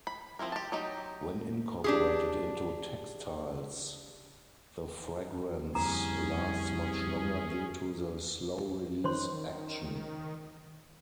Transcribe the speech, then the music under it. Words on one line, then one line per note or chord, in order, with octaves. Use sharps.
When incorporated into textiles the fragrance lasts much longer due to the slow-release action.
B5
F3 C4 E4 A#4
G4 A5
F#3 D#4 G4
D4 G4 G#4
C2 F2 D3 A#3 C#4 G#4 A#5
D#3 C5 C#5 C6